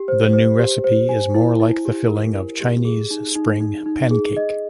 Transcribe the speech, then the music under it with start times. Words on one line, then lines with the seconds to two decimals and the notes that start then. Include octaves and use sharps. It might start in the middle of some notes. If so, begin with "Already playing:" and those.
The new recipe is more like the filling of Chinese Spring pancake.
Already playing: G4
0.08 C5
0.33 C5
0.59 G4
0.84 C5
1.09 G#5
1.34 E4
1.60 E4
1.85 G4
2.10 A#4
2.35 A#4
2.60 G4
2.85 G#4
3.11 D#4
3.35 D#4
3.61 D#4
3.86 D#4
4.11 G#4
4.37 D#5